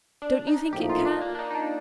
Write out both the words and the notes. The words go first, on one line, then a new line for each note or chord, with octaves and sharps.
Don't you think it can?'
D4
D#4
A#1 A2 F3 A#3 D#4 G4
F4
D4
A#3
D4
D#4
D#4
D4